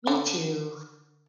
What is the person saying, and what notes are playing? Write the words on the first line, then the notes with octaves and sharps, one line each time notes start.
Me too.
D3